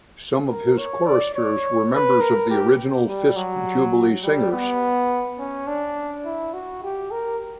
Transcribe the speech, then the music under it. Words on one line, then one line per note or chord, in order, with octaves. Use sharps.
Some of his choristers were members of the original Fisk Jubilee Singers.
A#4
C#5
D5
C#5
B4
A#4
G4
G3
F#3
G3
B3
C#4
D4
E4
F#4
G4
A#4